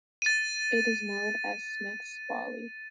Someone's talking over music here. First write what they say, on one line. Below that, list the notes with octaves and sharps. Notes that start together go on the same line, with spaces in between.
It is known as "Smith's Folly".
A6 D#7